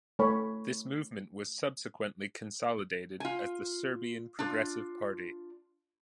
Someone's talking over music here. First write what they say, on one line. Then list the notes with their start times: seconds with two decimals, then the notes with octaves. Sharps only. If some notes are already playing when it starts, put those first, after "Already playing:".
This movement was subsequently consolidated as the Serbian Progressive Party.
0.19 A3 C#5 B5
3.20 F4 G#5
4.39 D4 F4